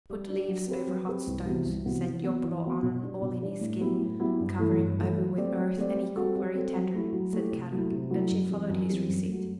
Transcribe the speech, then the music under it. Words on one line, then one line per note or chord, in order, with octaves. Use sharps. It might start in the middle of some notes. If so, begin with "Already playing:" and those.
"Put leaves over hot stones, set yopolo on, all in his skin, cover him over with earth and he cook very tender," said Kadok, and she followed his receipt.
G3
D4 G4
F#3
C4 G4 B4
F#3
C4 G4 B4
C2
C3 E3 B3 F#4
C2
C3 E3 B3 F#4
E3
B3 F#4
E3
B3 F#4
B2
G3 D4
B2
G3 D4
A2
F#3 B3 E4 G4
A2
F#3 B3 E4 G4
G2
E3 A3 E4 A4
G2
E3 A3 E4 A4
F#3
A3 C4 G4 D5
F#3
A3 C4 G4 D5
G3
C4 F#4 A4
G3
C4 F#4 A4
F#3
A3 E4 G4
F#3
A3 E4 G4
C3
F#3 A3 E4
C3
F#3 A3 E4
F#2
E3 G3 C4 G4
F#2
E3 G3 C4 G4
F#2
F#3 A3